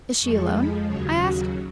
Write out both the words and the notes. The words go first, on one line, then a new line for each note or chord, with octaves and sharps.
"Is she alone?" I asked.
F2 F3 G#3 C#6
B5
D#2 C#3 F#3 C#5
F#4